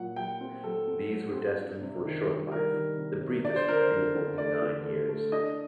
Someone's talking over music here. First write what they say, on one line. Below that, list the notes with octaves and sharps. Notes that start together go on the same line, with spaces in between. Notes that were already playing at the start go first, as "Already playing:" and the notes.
These were destined for a short life, the briefest being only nine years.
Already playing: A#2 F#3 F#5
F#3 G5
C4
F#3 A4
C4
F#3
C4
D4
C3
D#3
G3
G3 A#4
D#3
C3
C3
D4 D5
C5
D3 A#4
C5
D3
D3
A3 D5
D3
A3
A3
D4 D#5